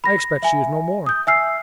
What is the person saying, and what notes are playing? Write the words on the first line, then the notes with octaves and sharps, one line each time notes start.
"I expect she is no more."
B5 A#6
E5 G#5
D#6 G6
E5 G#5 E6 F6 C7